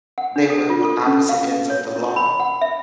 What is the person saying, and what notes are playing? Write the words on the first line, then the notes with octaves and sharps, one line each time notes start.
they were on opposite ends of the law.
F#5
D4
A4
F4
A4
C#4
F5
C#5
E4
B5
F#5
E5